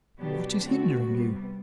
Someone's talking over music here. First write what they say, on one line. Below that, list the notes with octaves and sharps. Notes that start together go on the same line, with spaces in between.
"What is hindering you?"
B2 F#3 B3 D4 G4
D3 A3 C4 F#4
C3 G3 B3